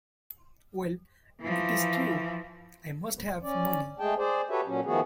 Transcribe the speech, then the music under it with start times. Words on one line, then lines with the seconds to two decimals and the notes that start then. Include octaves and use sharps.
Well, it is true; I must have money.
1.41 E3 F3
3.43 C#4 D5
3.99 G#3 A3 G#4 G5 A5
4.17 G#4 C5 D5
4.50 F#4 G4 A4 B4 C#5 E5
4.66 A#2 F#3 C#4
4.85 D#3 F3 A3 B3 F#4 G#4